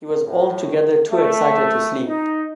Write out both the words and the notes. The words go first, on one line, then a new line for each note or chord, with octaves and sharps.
He was altogether too excited to sleep.
A2
A3
D#4